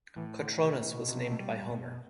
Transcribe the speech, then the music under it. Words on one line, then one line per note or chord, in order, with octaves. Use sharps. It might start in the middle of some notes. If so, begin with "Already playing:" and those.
Kotronas was named by Homer.
A2 E3
D3
C3
B2
C3
A3
G3
B2